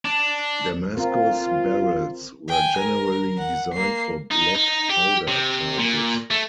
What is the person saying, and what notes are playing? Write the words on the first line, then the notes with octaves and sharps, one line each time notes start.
Damascus barrels were generally designed for black powder charges.
D4
C4 F4 A#4
G5 G#5
A#4
F#5
A#3 C7
D#4
D#4
G4
C3
A#2
A3